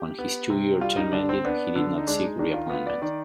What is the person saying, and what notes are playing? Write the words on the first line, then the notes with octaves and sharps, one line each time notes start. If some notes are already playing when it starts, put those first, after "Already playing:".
When his two-year term ended, he did not seek reappointment.
Already playing: G4
B3
C3
G3 F4
D#4
D3 D4
C4
B3 D4
D3
D#4
G#3 D4
D#4
D#3 D4
F4
B3 F4
D5
D#3 D5